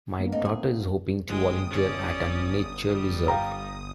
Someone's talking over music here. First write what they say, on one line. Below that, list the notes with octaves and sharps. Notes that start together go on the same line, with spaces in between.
My daughter is hoping to volunteer at a nature reserve.
A#3 B3 D4
A3 C4 D#4
G#4
G1 G#3 G5 D#6
C#4 D5
G3
F5 G5 A#5